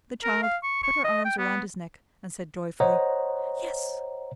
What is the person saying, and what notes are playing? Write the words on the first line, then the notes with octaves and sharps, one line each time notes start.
The child put her arms around his neck, and said joyfully, "Yes."
A#4
F5
C#6
C#6
D#5
G5
B3
C5 C#5 D#5 F#5 A#5